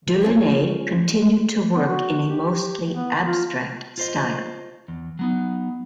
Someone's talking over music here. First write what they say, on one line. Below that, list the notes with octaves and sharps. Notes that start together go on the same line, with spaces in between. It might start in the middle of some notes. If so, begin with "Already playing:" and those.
Delaunay continued to work in a mostly abstract style.
C#4 F4 G#4 C5
B3
F#4
G4
B3
F4
F4 C5 D#5
E2
F#3 B3 D#4